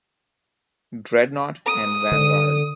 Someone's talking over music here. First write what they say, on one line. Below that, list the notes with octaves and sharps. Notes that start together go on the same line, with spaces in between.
"Dreadnought" and "Vanguard".
D#6
D3